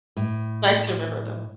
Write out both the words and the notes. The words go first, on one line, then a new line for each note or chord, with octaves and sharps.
nice to remember them.
A2